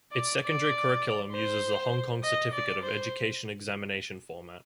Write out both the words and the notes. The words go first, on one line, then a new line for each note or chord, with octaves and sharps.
Its secondary curriculum uses the Hong Kong Certificate of Education Examination format.
D5
D5
C5
D#5
D5
C5